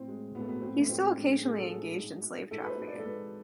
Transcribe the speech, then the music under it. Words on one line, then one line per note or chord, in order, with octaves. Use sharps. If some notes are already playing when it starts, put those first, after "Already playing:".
He still occasionally engaged in slave trafficking.
Already playing: A2 C4
G#3
A2 B3
A3
B3
G#3 C4
A3
A2 C4
G#3 D4
A2 G#4
A4
G#3 G#4
G#2
G#3
G#2 A4
B4
C5
G#3
D5
A4
G#2 B4